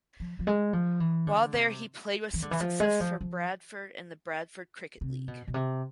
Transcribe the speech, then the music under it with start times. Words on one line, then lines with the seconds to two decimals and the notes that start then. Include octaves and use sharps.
While there he played with some success for Bradford in the Bradford Cricket League.
0.20 F3
0.39 F3
0.47 G#3
0.73 F3
1.00 E3
1.27 D3
1.53 C3
2.34 E3
2.42 D3
2.51 E3
2.60 F3
2.80 G#3
3.00 F3
3.21 F3
5.01 C3
5.28 B2
5.47 B2
5.54 C3